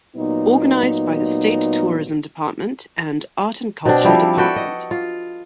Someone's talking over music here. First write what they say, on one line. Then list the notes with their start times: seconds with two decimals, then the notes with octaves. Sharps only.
Organized by the State Tourism Department and Art and Culture Department.
0.15 A#2 F#3 B3 D#4
3.85 B2 C4 D4
4.04 F3 G3 C4 E4
4.37 F#4 A4 B4 G5
4.56 D#5
4.91 F4